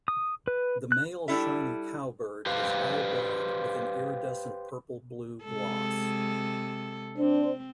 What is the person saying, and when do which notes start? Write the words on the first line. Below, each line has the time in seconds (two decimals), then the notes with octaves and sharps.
The male shiny cowbird is all black with an iridescent purple-blue gloss.
0.08 D#6
0.48 B4
0.92 F#6
1.28 G3 D4 E4 A4 E5
2.46 G4 B4 C5 F5
5.44 C3 G#3 A4
7.18 C4 D4 C5